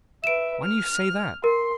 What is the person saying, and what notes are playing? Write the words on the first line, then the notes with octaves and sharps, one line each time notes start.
"Why do you say that?"
B4 E5 D7 E7
F6
A#4 C6